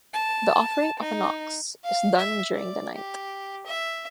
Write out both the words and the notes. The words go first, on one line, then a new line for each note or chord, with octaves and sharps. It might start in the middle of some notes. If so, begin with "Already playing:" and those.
The offering of an ox is done during the night.
A5
D#4
F5
E5
D5
G4
E5